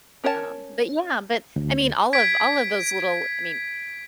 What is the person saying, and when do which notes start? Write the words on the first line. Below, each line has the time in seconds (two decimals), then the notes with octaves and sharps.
Um, but yeah but, I mean, all of all of those little I mean,
0.24 C#4 A#4 C#5 F5 A5
1.56 D2
2.13 G#6 B6 D7